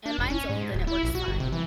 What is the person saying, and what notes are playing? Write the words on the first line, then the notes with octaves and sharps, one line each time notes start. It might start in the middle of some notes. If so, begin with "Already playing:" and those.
And mine's old, and it works fine.
D4
F1
C#4
G#2
D1
E4
A#1
F#4
G1
C3
E3